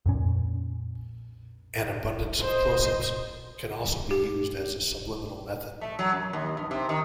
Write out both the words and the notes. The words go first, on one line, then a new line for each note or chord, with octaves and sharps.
An abundance of close-ups can also be used as a subliminal method.
F2 A#2 C#4
C5 D#5
G4
A3
F#3
F#2
D#2
G2
C3
D#3